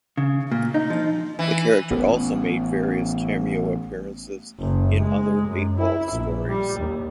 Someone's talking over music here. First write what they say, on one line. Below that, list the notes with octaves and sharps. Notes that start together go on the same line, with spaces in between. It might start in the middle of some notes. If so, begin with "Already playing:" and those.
The character also made various cameo appearances in other "Eightball" stories.
C#3
A#2
D#4
F3
E3
A1 B3 C#4
F#1
G#3
F#2
E4
A#1
G3
D#2